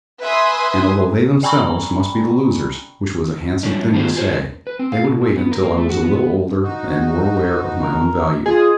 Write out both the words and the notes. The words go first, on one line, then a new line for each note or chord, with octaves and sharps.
And although they themselves must be the losers--which was a handsome thing to say--they would wait until I was a little older and more aware of my own value.
B4 E5 G#5 C6 D#6
D5 G5 G#5 A#5 B5 C#6
F#2 A#2 F3 G3 C#4 D4
D#3 B3 F4 G4 G#4 C5
F4 G4 G#4 A#4 C5 C#5
B4
C4
F5
B2
A#2
B3
A#4
A#3
A3
F#4
B3
B3
D#4 F#4
A#4
G#3 F4 G#4